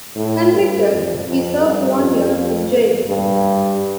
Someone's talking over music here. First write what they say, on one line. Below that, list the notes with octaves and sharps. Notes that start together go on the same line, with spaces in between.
Convicted, he served one year in jail.
A2
G2
F2
F2
G2
F2
F2
G2